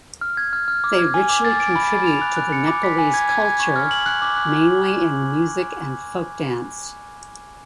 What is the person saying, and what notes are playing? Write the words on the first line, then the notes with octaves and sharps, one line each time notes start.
They richly contribute to the Nepalese culture mainly in music and folk dance.
F6
G#6
F6
F6
D6
G#6
G#5
D6
A6
D7
B5
A6
F7
F#6
F#6
C#7
D6
B6
G#5
G#6
G#6
G#6
C#6
F6
F#7
F#6
D6
F#6
F#6